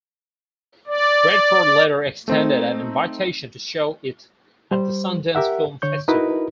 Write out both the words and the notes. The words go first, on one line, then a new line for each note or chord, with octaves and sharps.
Redford later extended an invitation to show it at the Sundance Film Festival.
D5
A3 C4 D#4
G3 C5
G4 A#4 E5 F#5
D3 C#5 C#6 G6
D#4 E4 F#4 A#4 B4 D#5